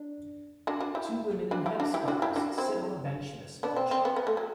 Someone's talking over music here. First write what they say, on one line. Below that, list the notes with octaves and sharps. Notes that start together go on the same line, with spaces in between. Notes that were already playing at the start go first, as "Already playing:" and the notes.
Two women in headscarves sit on a bench in a small shop.
Already playing: D4
D4 F#4
D4 F#4
E4 G4
D4 F#4
E4 G4
D4 F#4
E4 G4
D4 F#4
E4 G4
D4 F#4
C4 E4
B3 D4
C4
C4
B3
B3
A3
F#3